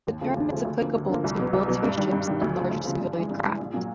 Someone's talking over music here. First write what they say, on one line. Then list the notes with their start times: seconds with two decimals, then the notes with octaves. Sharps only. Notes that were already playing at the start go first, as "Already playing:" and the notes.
The term is applicable to military ships and larger civilian craft.
0.07 D#2
0.21 C#3 F3 A3
0.36 D#2
0.51 C#3 F3 A3
0.65 D2
0.80 D3 F3 A#3
0.95 D2
1.09 D3 F3 A#3
1.24 C2
1.39 B2 F#3 B3
1.53 C2
1.68 B2 F#3 B3
1.83 G2
1.97 D#3 G3
2.12 G2
2.27 D#3 G3
2.42 D2
2.56 C#3 F3
2.71 D2
2.85 C#3 F3
3.01 G2
3.15 E3 G#3
3.30 G2
3.44 E3 G#3
3.59 A#1
3.74 A#2 F#3